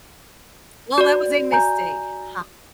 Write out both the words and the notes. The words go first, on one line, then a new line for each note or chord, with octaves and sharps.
well, that was a mistake, ha
F#4 D5
G#5 A#5 G6